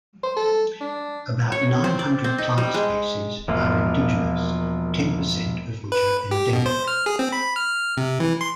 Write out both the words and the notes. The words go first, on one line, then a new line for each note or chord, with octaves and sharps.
About nine hundred plant species are indigenous, ten percent of which are endemic.
C5
A4
D4
C#5
C4
D5
C4
D#4
G3
G#3
E1 F3 A#3 F4
B4
G4
B2
C5
F6
G#4
C4
B5
F6
C3
E3
C6